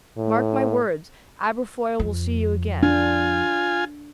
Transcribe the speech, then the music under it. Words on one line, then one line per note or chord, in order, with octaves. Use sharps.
"Mark my words, Aberfoyle will see you again!"
A2
F2
D4 F4 G#5